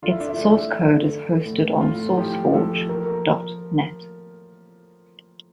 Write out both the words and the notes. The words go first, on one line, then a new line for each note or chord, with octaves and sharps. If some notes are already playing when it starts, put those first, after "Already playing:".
Its source code is hosted on SourceForge dot net.
D3 F4
E4
D4
E4
A3
D3
D3
A2
A2 F4
F3 G4
F3 A4
A#3 A#4